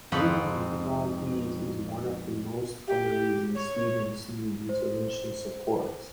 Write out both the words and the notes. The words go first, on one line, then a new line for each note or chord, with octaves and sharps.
Reading difficulties is one of the most common reasons students need intervention support.
F2 G#2 C4 D#4 F#5 B5
G4
C#5
C5